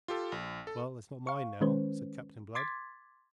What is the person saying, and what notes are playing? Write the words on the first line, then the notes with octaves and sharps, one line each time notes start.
"Well, it's not mine, now," said Captain Blood.
F4 G4 A4
A#1
A4
F5 C#6
D#3 G#3 C#4 B4 C5
C6 D6 G#6 A6 B6